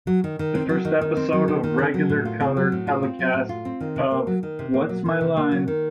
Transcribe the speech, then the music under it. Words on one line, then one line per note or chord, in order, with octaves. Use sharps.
The first episode of regular color telecasts of What's My Line?
F#3
D#3
D#3
C4
F#3
D#3
D#3
C4
F#3
D#3
D#3
C4
F#3
A2
F4
C4
F#3
A2
F4
C4
F#3
A2
F4
C4
D#3
C3
A#3
F#3
D#3
C3
A#3
F#3
D#3
C3
A#3
F#3
D#3